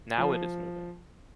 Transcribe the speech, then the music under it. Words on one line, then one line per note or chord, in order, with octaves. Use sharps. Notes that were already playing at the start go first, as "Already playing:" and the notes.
Now it is moving.
F3